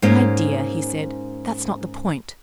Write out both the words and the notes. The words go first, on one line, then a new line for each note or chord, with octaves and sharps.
'My dear,' he said, 'that's not the point.
G#2 A#3 C#4